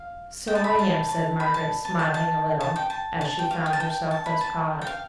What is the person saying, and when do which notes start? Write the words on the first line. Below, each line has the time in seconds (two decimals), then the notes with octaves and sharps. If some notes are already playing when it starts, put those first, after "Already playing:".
'So I am,' said Margaret, smiling a little, as she found herself thus caught.
Already playing: F5
0.47 G5
0.55 A5
0.64 B5
0.79 A5
1.08 A5
1.40 B5
1.54 A5
1.85 A5
1.99 A5
2.14 A5
2.61 A5
2.76 G5
2.90 A5
3.21 A5
3.39 G5
3.51 F5
3.66 G5
3.73 A5
3.80 G5
4.11 A5
4.26 B5
4.41 A5
4.81 G5
4.87 F5